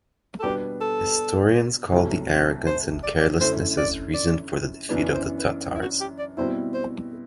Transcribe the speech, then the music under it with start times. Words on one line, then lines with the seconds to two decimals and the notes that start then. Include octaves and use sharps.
Historians call the arrogance and carelessness as reason for the defeat of the Tatars.
0.40 A4
0.43 B2 G3 B3 D4 G4
0.81 A4
1.92 C2 C3 F#3 A3
2.67 C5
3.03 D5
3.21 D5
3.40 F#2 D3 A3 E4 C5
3.77 D5
4.14 D5
4.89 F#2 E3 B3 D4
5.14 C5
5.39 B4
5.75 E4
5.82 F#4
6.00 G4
6.19 D5
6.37 B2 G3 C4 E4 C5
6.74 C5